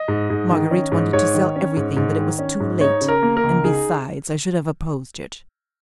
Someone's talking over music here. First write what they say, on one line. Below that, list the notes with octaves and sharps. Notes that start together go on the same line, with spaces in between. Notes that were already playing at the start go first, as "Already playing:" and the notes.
Marguerite wanted to sell everything, but it was too late, and besides I should have opposed it.
Already playing: D#5
G#2
G#2
D#3
C#4
G#2
G#2 C#5
D#3
C#4
G#2
G#2
D#3
C#4
G#2
D#4 C#5
C#3
A#4
A#3
A#4
C#2
D#4 G#4